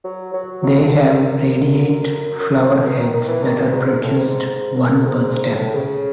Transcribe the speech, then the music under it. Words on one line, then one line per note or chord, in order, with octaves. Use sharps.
They have radiate flower heads that are produced one per stem.
F#3
F#3
F#3
A2
F#2
F#2
F#2
G#2
A2
B2
D#3
D#3
E3
D#3
B2
G#2
G#2
A2
G#2
G#2
F#2
A2
G#2
G#2
A2
C#3